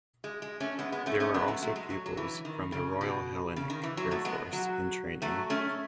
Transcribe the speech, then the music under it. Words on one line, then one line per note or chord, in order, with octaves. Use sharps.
There were also pupils from the Royal Hellenic Air Force in training.
G#3
G#3
A3 C#4
G#3 B3
G#3 B3
A3 C#4
A3 C#4
G#3 B3
F#3 A3
F#3 A3
G#3
F#3
F#3
E3
D#3
C#3
B2
C#3
D#3
E3
F#3
F#3 A3
G#3 B3
F#3
F#3 A3
A3 C#4